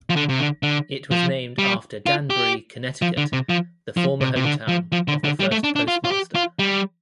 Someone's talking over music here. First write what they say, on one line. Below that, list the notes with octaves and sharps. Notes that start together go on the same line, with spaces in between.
It was named after Danbury, Connecticut, the former hometown of the first postmaster.
F3
D3
C3
D3
D3
F3
G3
F4
G4
F3
D3
C3
F3
F3
C3
C3
D3
F3
F3
D3
D3
G3
A3
D4
D4
F4
F4
G4
F4
G3